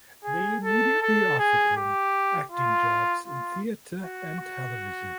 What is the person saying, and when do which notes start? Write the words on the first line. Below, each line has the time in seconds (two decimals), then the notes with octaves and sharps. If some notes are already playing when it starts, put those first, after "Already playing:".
They immediately offered him acting jobs in theater and television.
0.25 G#4
0.64 A4
1.01 A4
1.39 G#4
1.77 G4
2.52 F4
3.27 F4
4.02 F#4
4.40 F#4